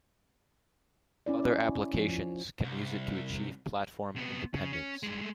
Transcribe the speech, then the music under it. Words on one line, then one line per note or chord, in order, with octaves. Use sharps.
Other applications can use it to achieve platform independence.
C#4 E4 D5
F3
C2
C3 B3
C#3
C#4
G2 G#3
G#3 A3